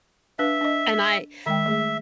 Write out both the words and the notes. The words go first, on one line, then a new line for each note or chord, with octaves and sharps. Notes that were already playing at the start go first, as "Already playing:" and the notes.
And I n
D4 B4 E5 F5
D4 D#5
D#3 G#3 E5 G5
A3 G#4